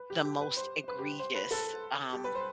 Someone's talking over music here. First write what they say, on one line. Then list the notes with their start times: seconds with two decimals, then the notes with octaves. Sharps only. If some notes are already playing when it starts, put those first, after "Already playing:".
the most egregious, um,
Already playing: B4
0.10 G4
0.25 G4
0.41 B4
0.57 C5
0.88 B4
0.98 G4
1.19 C5
1.35 B4
1.51 A4
2.13 G4
2.24 B4
2.35 C5